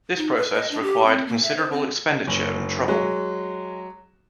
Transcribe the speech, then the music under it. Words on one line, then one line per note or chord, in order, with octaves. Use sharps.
This process required considerable expenditure and trouble.
D#4
B4
D#5
D4
G4
C4
A#3
E5
C5
C4
F#1
F#3 G#3